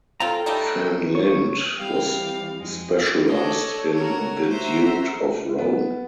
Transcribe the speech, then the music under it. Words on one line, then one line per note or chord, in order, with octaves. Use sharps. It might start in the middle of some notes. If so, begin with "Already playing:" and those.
Van Lint was specialized in vedute of Rome.
C4 F4 A4 G5 A#5
G3 A3 D#4
C#5
E3 G3 C4 F5 G5
F2 G#3
D4 A4 C#5 D#5
F#4 A#4
F#4 C5 E5 A#5
B3